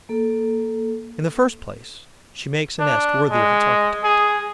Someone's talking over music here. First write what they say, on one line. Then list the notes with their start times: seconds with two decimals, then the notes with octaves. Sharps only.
In the first place, she makes a nest worthy of its architect.
0.09 A#3 A4
2.79 D4
3.31 G#3
4.04 G#4